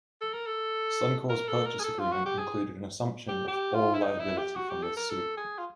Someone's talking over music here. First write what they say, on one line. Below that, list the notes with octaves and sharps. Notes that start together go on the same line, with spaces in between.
Suncor's purchase agreement included an assumption of all liability from this suit.
A4
A#4
A4
A#4
A4
A#4
G#4
A4
F4
F#4
G4
G#4
G4
G4
F4
E4
D#4
E4
G4
F#4
G4
A4
A#4
A4
G#4
F4